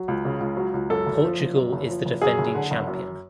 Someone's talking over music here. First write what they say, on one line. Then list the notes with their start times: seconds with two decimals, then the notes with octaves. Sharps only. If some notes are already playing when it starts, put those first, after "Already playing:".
Portugal is the defending champion.
Already playing: F#3
0.08 C#2
0.25 C#3
0.40 C#2
0.57 F#3
0.74 C#2
0.90 F#2 A4
1.07 F#1
1.24 F3
1.40 F#1
1.56 F#2
1.73 F#1
1.89 F3
2.06 F#1
2.22 F#2 G#4
2.39 F#1
2.55 D3
2.71 F#1
2.87 F#2